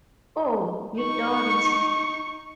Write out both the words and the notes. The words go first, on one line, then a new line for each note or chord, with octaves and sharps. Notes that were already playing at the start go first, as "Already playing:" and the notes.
Oh, you don't?
D#4 C#6